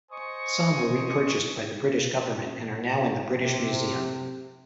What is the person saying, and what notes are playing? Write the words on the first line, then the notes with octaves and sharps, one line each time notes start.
Some were repurchased by the British government and are now in the British Museum.
C5 D#5 G#5 C#6 D#6
C3